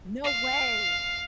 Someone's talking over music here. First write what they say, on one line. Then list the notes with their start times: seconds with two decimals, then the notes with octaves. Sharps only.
No way!
0.24 F5